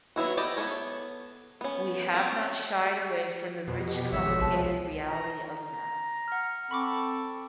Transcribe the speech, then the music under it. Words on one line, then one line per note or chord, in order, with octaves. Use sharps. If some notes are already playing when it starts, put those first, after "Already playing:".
We have not shied away from the rich complicated reality of Now.
F#3 B3 E4 F#4
G4 A4 B4 D5 D#5
B3 E4 A4 A#4 C#5
B3 C#4
A#3 C4 C#4
F2 B2
G4
G#1 G#3 C#5 E5
B1
C2 A5
A#5
A#5
F#5 F6
C4 A4 B5 C#6 D6